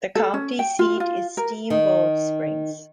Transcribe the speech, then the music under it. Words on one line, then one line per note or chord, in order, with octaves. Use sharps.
The county seat is Steamboat Springs.
A4
C#4
G5
F4
F4
A#4
D#3